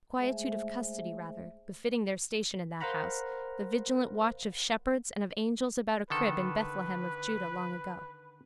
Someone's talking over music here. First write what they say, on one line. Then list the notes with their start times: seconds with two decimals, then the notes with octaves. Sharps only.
Quietude of custody, rather, befitting their station in that house, the vigilant watch of shepherds and of angels about a crib in Bethlehem of Juda long ago.
0.18 G#3 A3 G#4 C5 E5
2.81 A#4 C5 F5 F#5 A#5 B5
6.10 D3 D#3 A4 B4